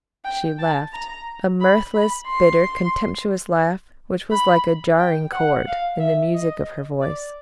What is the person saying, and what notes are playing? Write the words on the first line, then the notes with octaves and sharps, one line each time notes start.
She laughed--a mirthless, bitter, contemptuous laugh, which was like a jarring chord in the music of her voice.
G5
A5
A#5
B5
B5
C6
B5
G5
F#5
F5
E5
D#5
D5